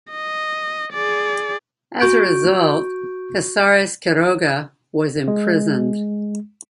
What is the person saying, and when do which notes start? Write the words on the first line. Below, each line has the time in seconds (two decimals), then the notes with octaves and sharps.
As a result, Casares Quiroga was imprisoned.
0.11 D#5
0.92 G#4 D5
2.00 F#4 C#6 G6 D7
5.28 G#3